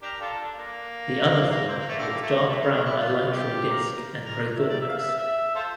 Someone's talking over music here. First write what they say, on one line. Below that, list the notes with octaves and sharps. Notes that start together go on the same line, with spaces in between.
The other form with dark brown elytral disc and prothorax.
D4 G4 A#4
D4 F4 A4
D4
A#3
A#3
C4
A#3
A3
D3 G3 A#3
A3
A#3
A3
A#3
D4
E4
F4
G4
A#4
A#4
E5
D5
E5
F5
E5
E5
F4 A4 C5